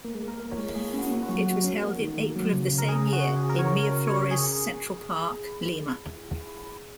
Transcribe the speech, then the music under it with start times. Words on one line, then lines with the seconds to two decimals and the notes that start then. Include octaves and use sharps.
It was held in April of the same year in Miraflores Central Park, Lima.
0.04 A#3
0.15 G#3
0.23 A#3
0.28 A#4
0.39 A#3
0.51 C#5
0.58 G#3
0.75 A#3 G#4
0.94 C#4
0.99 F#4
1.06 C#4
1.11 A#3
1.23 F#4
1.29 F#3
1.47 F#3 F#4
1.64 C#4
1.74 G#3
1.82 A#3
2.00 D#3
2.18 A#3
2.36 F#3
2.53 C#3
2.71 C#3
2.78 A#4
2.89 G#4
3.13 F#4
3.36 G#4
3.50 A#4
3.59 C#5
3.83 A#4
4.07 C#5
4.31 G#4